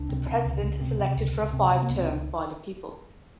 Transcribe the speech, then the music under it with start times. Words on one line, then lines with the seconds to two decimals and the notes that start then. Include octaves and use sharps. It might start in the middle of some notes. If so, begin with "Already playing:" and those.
The president is elected for a five term by the people.
Already playing: C#2 D4
0.09 C3
0.27 C3
0.45 C#2
0.63 C#2
0.81 C3
0.99 C3
1.17 C#2
1.35 C#2
1.53 C3
1.71 C3
1.83 A#3
1.89 C#2 B3
1.98 C4